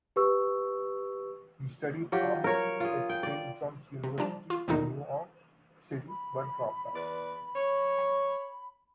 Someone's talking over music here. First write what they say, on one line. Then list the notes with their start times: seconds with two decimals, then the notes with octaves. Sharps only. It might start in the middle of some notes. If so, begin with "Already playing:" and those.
He studied pharmacy at Saint John's University in New York City but dropped out.
0.16 G4 B4 C#6 E6
2.12 F#3 F4 G4
2.44 A#4 C#5
2.80 F4 G#4
3.09 G5
3.23 D5
4.04 C3
4.18 F3 G3 D4 A5
4.50 F4
4.68 E2 A#2 D3 D#3 D#4
6.08 B5
6.93 E2 B4 D5
7.54 C#5